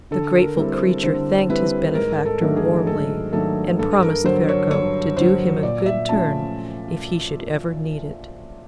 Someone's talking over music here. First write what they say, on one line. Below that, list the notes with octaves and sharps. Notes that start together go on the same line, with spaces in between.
The grateful creature thanked his benefactor warmly, and promised Ferko to do him a good turn if he should ever need it.
D3 A4
A#4
G3 C4 E4
C5
D3 C5
G3 C4 E4 B4
G#2 A#4
A4
D#3 F#3 A3 D4
G#4
G#2 A4
D#3 F#3 A3 D4 A4
G2 A4
A#4
D3 F#3 C5
C#5
G2 C#5
D3 F#3 C5
A#2 D5
E5
F3 A3 C#4 F4 A5